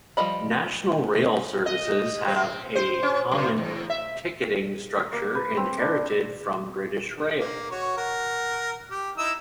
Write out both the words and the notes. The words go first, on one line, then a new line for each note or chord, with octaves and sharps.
National Rail services have a common ticketing structure inherited from British Rail.
F3 G3 A4 D#5 B5
D#5
C4
C5
C#4
F#2
E2
E5
A#5
A#3
B4
C4
D4
A#3
F#4 C#5
A#4 F#5
G4
D#4 E4 E6